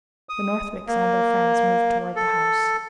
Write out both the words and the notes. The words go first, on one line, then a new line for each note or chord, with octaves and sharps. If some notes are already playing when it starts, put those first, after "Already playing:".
The Northwicks and their friends moved toward the house.
D#6
A#3
A4